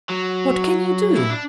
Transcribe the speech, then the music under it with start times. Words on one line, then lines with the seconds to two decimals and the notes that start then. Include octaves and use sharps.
What can you do?'
0.09 F#3
1.16 E4
1.29 D4